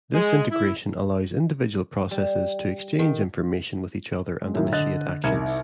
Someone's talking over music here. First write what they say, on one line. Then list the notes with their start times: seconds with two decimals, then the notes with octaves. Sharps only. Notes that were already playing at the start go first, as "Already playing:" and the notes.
This integration allows individual processes to exchange information with each other and initiate actions.
0.13 G#3
0.51 E4
2.11 G3
2.99 D#3
4.42 G#3
4.54 F#2 A2 D#3 F#3 E4
4.72 D3 D#5 F#6 A6
5.24 C2 D#4 A#4 B5 G#6 C#7